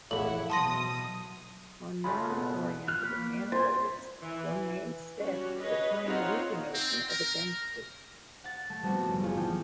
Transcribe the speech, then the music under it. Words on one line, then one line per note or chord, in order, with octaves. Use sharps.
On non-orientable manifolds, one may instead define the weaker notion of a density.
F2 A2 C#3 E3 E4 F#5 F#7
B2 F#3 A5 C6 D#6 A#6
C#3 G#3 A3 F4 B5
B2 B3
F4 F6 F#6
A#3 C#5 B5
C5 D5 G#5
E3
G3 C#4 F#4
G#4 B4 C#5 D#5
C4 D#4 F4 C5 C#5 F#5
C4
A#4
F#5 A6
A3
F3 G3 A3 B3 C4 F#4
F#1
A3 F4 G#4 C#5
E3 F3 G5